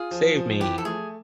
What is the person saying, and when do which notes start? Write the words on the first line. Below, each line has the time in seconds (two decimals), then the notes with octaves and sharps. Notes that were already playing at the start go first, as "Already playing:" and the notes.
Save me!
Already playing: F4 G#4
0.11 F3
0.36 F3
0.60 E3 G4
0.78 A4
0.85 A3 G#4